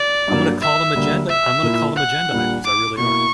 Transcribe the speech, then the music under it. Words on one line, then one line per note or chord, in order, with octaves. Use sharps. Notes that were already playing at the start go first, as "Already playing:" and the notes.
I'm gonna call 'em agenda I'm gonna call them agenda items, I really are.
Already playing: D5
G2 F#3 A#3
E5
D2 D3 G3 A#3
E5
A#2 A#3 E4
F#5
A#2 G3 A#3 D4
D6
B2 A#3 E4 C#6